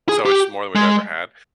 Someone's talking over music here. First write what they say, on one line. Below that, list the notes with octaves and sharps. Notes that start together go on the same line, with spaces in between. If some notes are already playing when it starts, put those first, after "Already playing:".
so it's more than we've ever had,
G#4
G4
G#3